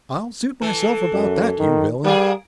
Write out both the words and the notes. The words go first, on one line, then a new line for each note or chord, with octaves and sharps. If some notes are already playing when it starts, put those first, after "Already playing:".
"I'll suit myself about that, you villain!"
E3 A4
F#2
D#3
G3 A#3 G#4